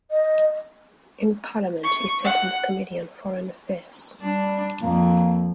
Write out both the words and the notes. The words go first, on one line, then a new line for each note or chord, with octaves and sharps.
In Parliament, he sat on the Committee on Foreign Affairs.
D#5
C#6
F#5
G3 D4
F2 A#3